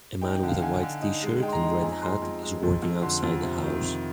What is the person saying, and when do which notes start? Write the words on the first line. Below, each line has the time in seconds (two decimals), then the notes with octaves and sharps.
A man with a white tshirt and red hat is working outside a house.
0.22 D#4 G5
0.36 G5
0.43 D3
0.48 F5
0.62 D3 G#5
0.82 D3
1.02 D#4
1.22 G#3
1.42 G#3 G5
1.48 C6
1.53 A#5
1.62 D#4 C6
1.73 A#5
1.82 F2 G#5
1.92 A#5
2.02 G#3 C6
2.12 A#5
2.22 F2 A#5
2.42 G#3
2.63 F2
2.82 F2
3.02 D3 C6
3.22 F2
3.42 C3
3.62 D#3
3.83 C3